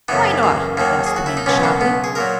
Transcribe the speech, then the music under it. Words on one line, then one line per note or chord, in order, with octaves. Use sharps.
"Why not?" asked the man sharply.
F#2 C#3 E3 B3
A#3
D#2 D#3 F#3 A#3
G#4
F#4
E4
D#4
C#2 B2 F#3 C#4
A#3
B3
G#4
A#2 F#3 A#4